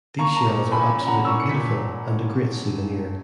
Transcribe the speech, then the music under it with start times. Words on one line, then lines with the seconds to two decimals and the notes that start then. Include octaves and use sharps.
These shells are absolutely beautiful and a great souvenir.
0.19 A#3 A#5 C#6
0.36 A#5 C#6
0.45 A#2
0.71 A#2 G#5 B5
0.99 C#4
1.07 F#5 A#5
1.25 A#2 C#6 E6
1.40 C#7
1.49 A#2 B6